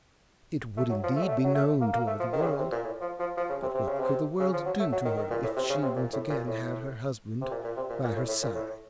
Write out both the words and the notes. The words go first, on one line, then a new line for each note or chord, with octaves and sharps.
It would indeed be known to all the world, but what could the world do to her if she once again had her husband by her side?
A3
F#3
F3
A3
F#3
A3
F#3
A3
A#3
A#3
A3
F3
D#3
C3
C#3
C3
A#2
A2
F3
F3
F3
C#3
C3
C3
C#3
C3
C#3
F3
F#3
A3
F#3
D#3
D#3
A#2
A2
C3
C#3
C3
A#2
A2
A#2
A2
C3
A#2
A#2
C3
A#2
A#2
A2
A2
A#2
A2